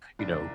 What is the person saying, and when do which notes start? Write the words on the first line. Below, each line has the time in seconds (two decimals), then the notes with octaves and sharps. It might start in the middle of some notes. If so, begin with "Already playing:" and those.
you know,
0.19 C2 D4